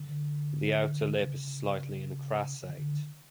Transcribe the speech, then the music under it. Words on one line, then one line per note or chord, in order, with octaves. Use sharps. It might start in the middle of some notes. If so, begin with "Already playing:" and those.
The outer lip is slightly incrassate.
Already playing: D3
C#3
D3